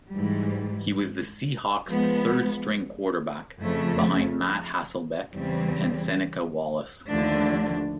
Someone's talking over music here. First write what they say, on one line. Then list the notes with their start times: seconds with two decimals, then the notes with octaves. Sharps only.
He was the Seahawks' third-string quarterback behind Matt Hasselbeck and Seneca Wallace.
0.11 G#2 E3 G3
1.86 F3 G#3 B3
3.60 F2 C#3 F3 A3
5.33 E2 C#3 E3 G3 C4
7.08 D#2 D3 F3 A3 D4